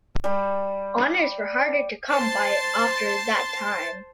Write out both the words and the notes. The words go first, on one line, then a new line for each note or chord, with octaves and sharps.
Honours were harder to come by after that time.
G3 B5
C5 A5 C6 A6